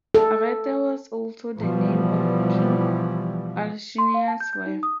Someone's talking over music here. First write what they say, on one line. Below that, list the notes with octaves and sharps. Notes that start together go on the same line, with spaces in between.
Arete was also the name of King Alcinous's wife.
A4
B2 E3 F3 G3
C6
F5
A5
G6
G6
D#4
D#6